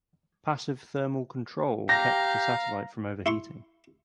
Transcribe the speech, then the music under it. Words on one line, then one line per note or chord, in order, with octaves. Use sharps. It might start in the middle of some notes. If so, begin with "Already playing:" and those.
Passive thermal control kept the satellite from overheating.
G4 F5 A#5 A#6
E4 C6 C#6